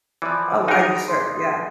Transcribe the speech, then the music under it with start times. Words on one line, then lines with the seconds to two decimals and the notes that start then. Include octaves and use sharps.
Oh, I'm sure, yeah.
0.22 E3 F3 E4 D5
0.68 D#4 G#4 A#4
1.08 C6